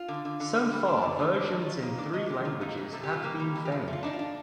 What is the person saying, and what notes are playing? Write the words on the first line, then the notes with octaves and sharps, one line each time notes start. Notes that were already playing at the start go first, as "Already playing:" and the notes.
So far versions in three languages have been found.
Already playing: F4
D3
D3
D3
G3
G3
D4
D3
D#3 G4
D4
D#3
D#3 F4
A#3 D#4
D4 D5
D#3 D#5
D#3 G4
A#3 F4
C3 D#4
F2
C3 A4
G4
G3 F4
A#3 G4
G3
F2
G4
A3 F4
A3
F4
D4 D#4
F4
D4